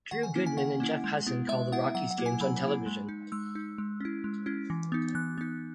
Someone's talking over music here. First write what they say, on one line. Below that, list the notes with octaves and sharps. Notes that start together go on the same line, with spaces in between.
Drew Goodman and Jeff Huson call the Rockies games on television.
D#3 F#5
G#5
A#3 C#4 E4
G#5
D#3 F#5
A#3 C#4 E4
G#3
B3 E4
G#3 E5
B3 E4 F#5
F#3 F#5
F#5
A#3 E4
G#5
F#3 B5
A#3 E4
G#3
D#4
G#3 E6
D#4
G#3
C#4 E4
G#3
C#4 E4
E3
B3 D#4
E3 F#6
B3 D#4